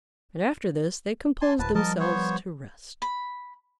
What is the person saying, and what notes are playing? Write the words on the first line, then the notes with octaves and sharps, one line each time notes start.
And after this they composed themselves to rest.
G#5 A5 C6
D1 B4 A5
F3 G3 A#4 D#5 A5
B3 C5 C#5
B5